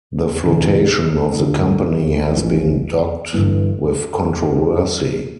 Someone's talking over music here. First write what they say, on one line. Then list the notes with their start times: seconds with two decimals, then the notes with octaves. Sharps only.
The flotation of the company has been dogged with controversy.
0.44 E1 D2 C3 E3
1.40 D2 D3 A3 D4 F4
2.37 A1 A2 F3
3.33 G1 G2 E3